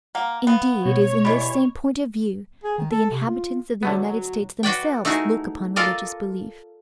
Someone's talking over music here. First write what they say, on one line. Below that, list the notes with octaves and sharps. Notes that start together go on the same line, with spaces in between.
Indeed, it is in this same point of view that the inhabitants of the United States themselves look upon religious belief.
A#3 F#5
B3 F5 F#5
B2 C#5
E3 G3 D#5 B5
G#4
D#3
A4
C3
F4
D3 F#3 A3 B3
F#4 B4 D5 G5
A3 D#4 E4 F#4 G#4
F4 A4 A#4 D5 D#5